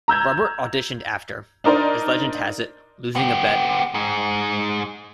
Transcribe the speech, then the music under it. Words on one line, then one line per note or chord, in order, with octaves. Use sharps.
Robert auditioned after, as legend has it, losing a bet.
A#5 E6 G6 G#6
D4 D#4 A#4 C5 D5
B3 G4
G#2 G#3